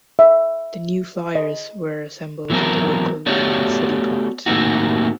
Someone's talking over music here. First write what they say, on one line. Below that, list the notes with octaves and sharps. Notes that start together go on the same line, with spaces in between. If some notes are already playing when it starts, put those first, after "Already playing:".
The New Flyers were assembled in the local Union City plant.
E5
D#5
E3 F#3 B3 C4 A#4
A3 B3 F#4 G4 C#5 D5
A2 D#3 A#3 C4 D#4 F#4